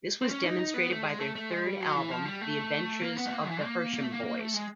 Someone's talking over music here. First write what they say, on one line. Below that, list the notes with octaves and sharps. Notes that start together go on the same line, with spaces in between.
This was demonstrated by their third album, "The Adventures of the Hersham Boys".
C4
C#4
D#4
D#4
B3
A3
G#3
A3
A3
G#3
G3
F#3
E3
F3
G3
A3
A#3
B3
A3
A#3
E3
A#3
A#3
A3
A#3
A#3
A3
G#3